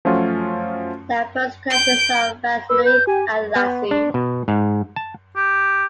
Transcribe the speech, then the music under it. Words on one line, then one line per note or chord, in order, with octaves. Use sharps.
There are bus connections to Vaslui and Iași.
F3 F#3 A3 C#4 F4 F#4
G6 D7
B4 E6
G6
G4 G#5
B3
D4
B2
G#2
A5
G4